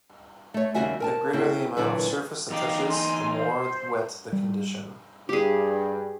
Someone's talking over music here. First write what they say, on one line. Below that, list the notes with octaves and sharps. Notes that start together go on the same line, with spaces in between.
The greater the amount of surface that touches the more wet the condition.
A3 C#5
D#2 C#3 G3 F#4 E5 G#5
A#4 G#5 A5
C#3 C4 E4 G#4
E2 A#2 D3 F#3 E4 B4
E2 D#4 F5 G5 D6
G#5 C6
C5
G3
G2 G4 G#4